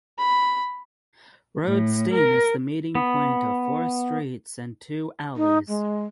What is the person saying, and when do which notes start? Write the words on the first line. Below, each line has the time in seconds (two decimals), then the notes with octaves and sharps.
Roode Steen is the meeting point of four streets and two alleys.
0.18 B5
1.64 A2
2.13 A#4
2.95 B3
5.37 D#4
5.68 G#3